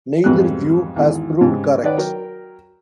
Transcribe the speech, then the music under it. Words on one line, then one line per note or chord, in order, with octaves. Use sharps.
Neither view has proved correct.
F2 G#2 F#3 G3 B3 F#6
G#1 E2
G#2 C#3 G4
D#3 B4 C#5 D5 F#5
F#3 A#4 G5